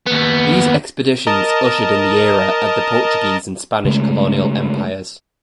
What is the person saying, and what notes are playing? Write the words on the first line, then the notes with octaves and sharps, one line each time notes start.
These expeditions ushered in the era of the Portuguese and Spanish colonial empires.
D#2 B3
A#4 D#5 A5
C#3 G#3 A3